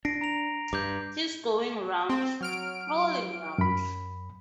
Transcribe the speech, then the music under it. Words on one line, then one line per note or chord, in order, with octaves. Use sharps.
He's going round — prowling round.
D4 A#6 C7 D7
A#5 A#6 F7
G2 D6 G6
C4
F#3 F6 D7
F#2 B5